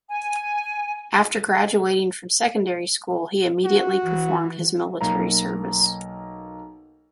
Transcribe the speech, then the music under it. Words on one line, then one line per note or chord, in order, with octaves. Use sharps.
After graduating from secondary school he immediately performed his military service.
G#5
F#4
E3
B1 A#3 A#5